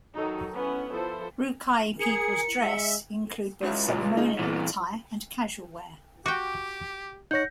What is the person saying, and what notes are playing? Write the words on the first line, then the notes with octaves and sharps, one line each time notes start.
Rukai people's dress include both ceremonial attire and casual wear.
D#3 F#3 D#4 F#4 A4
B3 C#4 E4 F#5
F3 E4 A4 C5
G#4 A#4 C#7
G#3 E5
C#2 C#4 E4 F#4
C#2 A#2 E3
G#3 D#4
G2 A#2 E3 B3
F#4 G4 G5 D6
D#4 C#5 F#5 G6 A#6